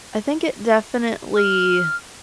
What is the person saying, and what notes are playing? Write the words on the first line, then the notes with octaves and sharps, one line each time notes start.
I think it definitely
F6